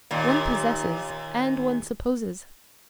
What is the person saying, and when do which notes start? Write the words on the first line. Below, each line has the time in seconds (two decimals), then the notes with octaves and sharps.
One possesses and one supposes.
0.11 D#2 A#2